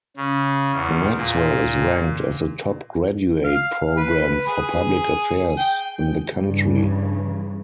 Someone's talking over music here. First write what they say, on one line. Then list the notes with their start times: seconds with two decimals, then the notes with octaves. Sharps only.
Maxwell is ranked as the top graduate program for public affairs in the country.
0.17 C#3
0.72 E2
1.16 A#2
3.44 F5
3.97 B4
4.47 G#4
5.58 G5
6.36 G2 C#3 E3